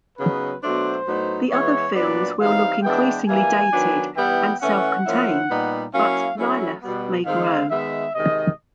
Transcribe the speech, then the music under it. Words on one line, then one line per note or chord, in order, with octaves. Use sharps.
The other films will look increasingly dated and self-contained, but "Lilith" may grow.
C#3 F#3 B3 D#4 B4
B2 F#3 A3 D4 C5
A2 F#3 B3 D#4
E3 G#3 B3 C#5
A#2 F#3 B3 D4 D5
E3 G3 C4 D#4 F5
E3 G#3 B3 D4 G5
E3 G3 A#3 G#5
D#3 F#3 B3 D4
E3 G3 B3 E4 G5
E3 A3 C#4 F#5
F3 A#3 C#4 E4
A#2 G3 B3 D#4
F#3 A#3 C#4 E4 F5
F#3 A3 C#4 E4
B2 G3 B3
D#3 G#3 C4 D#4 F5
D#3 G#3 B3 E5
C3 D#3 G#3 D#5